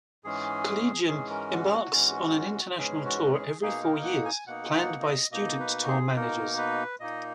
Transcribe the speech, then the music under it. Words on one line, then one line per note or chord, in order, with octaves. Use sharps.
Collegium embarks on an international tour every four years, planned by student tour managers.
G#2 E3 G#3 C#4 G#4
G#2 E3 G#3 C#4 G#4
A#4
F#4
F#4
G#2 E3 G#3 C#4
G#2 E3 G#3 C#4 G#4
F#4
G#4
B2 A#3 D#4 G#4
A#4
F#5
G#5
B2 A#3 D#4 F#5
F#5
D#5
B2 A#3 D#4 D#5
B4
F#4
G#4
B2 A#3 D#4 A#4
B4
A#2 A#3 D#4 D#5